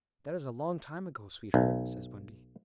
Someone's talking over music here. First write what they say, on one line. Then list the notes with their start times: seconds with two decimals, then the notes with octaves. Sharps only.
"That is a long time ago, sweetheart," says Wendy.
1.54 B1